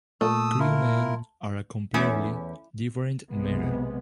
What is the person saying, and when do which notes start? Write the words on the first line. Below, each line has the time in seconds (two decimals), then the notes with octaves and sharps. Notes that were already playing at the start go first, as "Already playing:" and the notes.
Crewmen are a completely different matter.
0.21 A#2 A3 D#6 E6
0.60 E4 F4 A#4
1.94 E2 A3 C#4 E4
3.31 B1 C3 G#3 B3